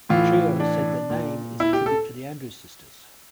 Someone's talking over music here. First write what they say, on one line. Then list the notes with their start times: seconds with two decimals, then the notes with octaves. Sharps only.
The trio has said their name is a tribute to The Andrews Sisters.
0.09 A2 E3 F4
0.60 D4
1.10 A#2
1.60 E4
1.73 G4
1.86 A4